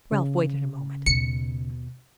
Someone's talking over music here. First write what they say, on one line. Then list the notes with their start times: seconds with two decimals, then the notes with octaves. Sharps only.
Ralph waited a moment.
0.12 C#3
1.06 D#2 B2 C#7